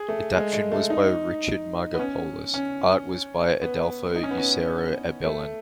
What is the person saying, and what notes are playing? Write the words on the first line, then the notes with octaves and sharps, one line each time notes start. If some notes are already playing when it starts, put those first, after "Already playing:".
Adaptation was by Richard Margopoulos, art was by Adolpho Usero Abellan.
Already playing: G#4
A3
G#3
G#3
A3
D#4
B3
C#4
C#4
B3
D#4
C#4
B3
C#4
A3